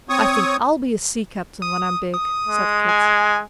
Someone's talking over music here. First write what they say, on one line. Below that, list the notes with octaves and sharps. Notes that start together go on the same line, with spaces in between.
"I think I'll be a sea captain when I'm big," said Kit.
C4 C#5 C#6 D#6
D#6
D#6
G#3
G#5